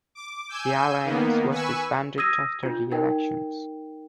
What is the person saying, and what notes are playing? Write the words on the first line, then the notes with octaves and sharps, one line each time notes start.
The alliance was disbanded after the elections.
D6
G#5 E6 G6
D#3 A#3 B3
B4 G#5 C#6 E6
D#6 E6 G#6 A#6 D#7
D4 F4
D#4 A#4 G5